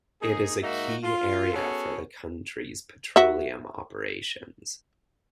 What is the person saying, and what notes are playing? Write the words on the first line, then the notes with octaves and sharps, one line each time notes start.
It is a key area for the country's petroleum operations.
A#3 D#4 G#4
G#2 A#3 D#4 F#4 E5
F4
B3 C#4 F#4 G#4 A4
F#4 E5